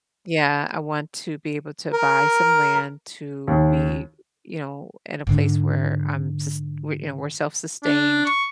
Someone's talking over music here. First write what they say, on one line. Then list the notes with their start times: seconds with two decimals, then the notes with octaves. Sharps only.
yeah, I want to be able to buy some land to be, you know, in a place where I'm sus we you know, we're self-sustained,
1.93 A#4
3.48 D#2
5.27 G#2 D3
7.83 D4
8.26 C#6